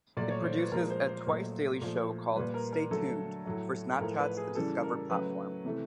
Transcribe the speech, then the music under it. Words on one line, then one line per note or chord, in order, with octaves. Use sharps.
It produces a twice-daily show called "Stay Tuned" for Snapchat's Discover platform.
A#2 F#3 A3 D5
C#5
C5
B4
A#2 F3 G#3 A#4
C5
C5
A#2 F#3 A3
A#2 F3 A3
A#2 G3 B4
A#4
A#4
D3 F#3 A3 A4
A2 F#3 A3
A2 F3 A3 A#4
B4
G#4
C#3 E3 G3 A4
A#4
C#3 F#3 A3 B4
C3 E3 A3